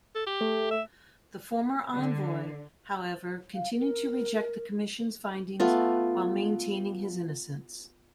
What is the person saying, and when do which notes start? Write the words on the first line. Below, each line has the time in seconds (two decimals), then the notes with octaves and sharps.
The former envoy, however, continued to reject the Commission's findings while maintaining his innocence.
0.15 A4
0.27 G4
0.41 A3
0.71 E5
1.93 D3
3.55 F5
3.79 A#4
5.60 A3 B3 F4